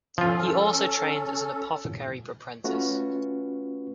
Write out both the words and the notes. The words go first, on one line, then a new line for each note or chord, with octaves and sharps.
He also trained as an apothecary apprentice.
F3 C#4 F4 A4
A3 C#4 F4 F#4 B4